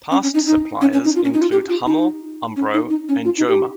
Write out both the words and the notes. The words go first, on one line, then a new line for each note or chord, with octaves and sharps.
Past suppliers include Hummel, Umbro and Joma.
C#4
C#4
D#4
D#4
C#4
C#4
D#4
F4
C#4
D#4
F4
G4
F4
D#4
C#4
D#4
D#4
C#4
F4
D#4
G4